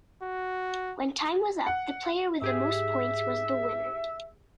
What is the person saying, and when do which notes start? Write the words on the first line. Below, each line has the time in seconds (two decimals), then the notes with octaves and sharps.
When time was up, the player with the most points was the winner.
0.22 F#4
1.66 F#5
2.42 G#2 G4 G#4 E5